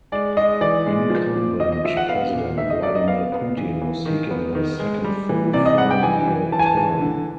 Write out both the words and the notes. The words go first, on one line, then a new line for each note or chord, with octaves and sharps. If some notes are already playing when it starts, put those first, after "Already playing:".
Incumbent President Vladimir Putin was seeking a second full four-year term.
G#3 D5
G#3 D#5
E3 D5
G#3
F3
F3
F3 D#5
D#5
F3 E5
F#5
B3 F5
A#2
D#4 E5
D#5
F#3 D5
D#5
B3 F5
B3
E3
E3
D#3
B3
D#3
G#3
G3
E3
C3 D5
D#5
G3 F#5
G5
E3 G#5
E3
E3 A5
G#5
A5
E3
D3